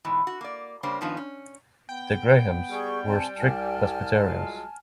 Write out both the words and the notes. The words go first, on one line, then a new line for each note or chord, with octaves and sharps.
The Grahams were strict Presbyterians.
G#2 B2 E3
F#4
A#3 D5
C#3 G3 A#3 D4 C5 C#5
G2 D#3 F3 B3 C#4 D#4
C#4
B3 G5
G3 G#4 C#6
C4 G#5 A5
C2 G#5 A5 F6
F#3 G#3 F4